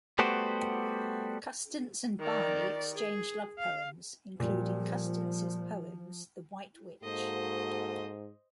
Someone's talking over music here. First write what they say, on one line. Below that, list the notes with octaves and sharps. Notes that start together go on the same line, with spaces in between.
Custance and Barney exchanged love poems, including Custance's poems 'The White Witch'.
G3 A3 B3 F#4 G4 C5
D#3 D5
G#4
F5
A#2 F3 G3
G#2 A#3 F#4 A4 C5 D#5